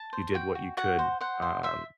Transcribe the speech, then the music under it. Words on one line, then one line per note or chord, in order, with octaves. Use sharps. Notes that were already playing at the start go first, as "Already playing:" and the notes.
you did what you could, um,
Already playing: A5
C5
F#4 G5
F#4
F#4 F#5
C5
C5 F#5
C5
C5 E5